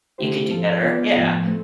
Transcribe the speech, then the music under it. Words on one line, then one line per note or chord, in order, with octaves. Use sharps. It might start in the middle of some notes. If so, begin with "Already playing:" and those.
"You could do better." Yeah.
D3 A3 E4 G4 C5
F3 C4 F4 A4
B3 F4 B4 D5
A2 F3 B3
A3 C4